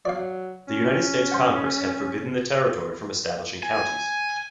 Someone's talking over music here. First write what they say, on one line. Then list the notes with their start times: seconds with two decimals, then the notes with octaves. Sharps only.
The United States Congress had forbidden the territory from establishing counties.
0.05 F#3 D5 F5
0.68 C#4
1.31 C5 F#5
3.63 G#5